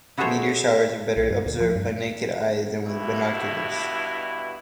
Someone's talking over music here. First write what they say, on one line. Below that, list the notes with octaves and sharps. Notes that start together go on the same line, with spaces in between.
Meteor showers are better observed by naked eye than with binoculars.
E4 F#4 G#4 A4 C5 C#5
B1
G2
D2
F3
G2
G2 B2 E4